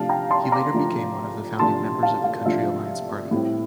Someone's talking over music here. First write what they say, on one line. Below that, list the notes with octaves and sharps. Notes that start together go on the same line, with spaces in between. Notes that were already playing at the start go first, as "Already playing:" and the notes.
He later became one of the founding members of the Country Alliance party.
Already playing: C3 F3 A3 D4 F4 F5 A5
G5 A#5
A5 C6
A#5 D6
C3 F3 A3 D4 F4
C3 F3 A3 D4 F4 A5 C6
F5 A5
F5
C3 F3 A3 D4 F4 E5
A2 G3 C4